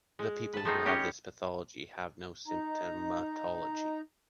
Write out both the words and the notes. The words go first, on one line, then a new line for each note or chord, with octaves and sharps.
People who have this pathology have no symptomatology.
G#3
B4 A5
G#3 A3 B3 C4 D#4 F4
C#4 G4 C#5 D#5
D#4 A#5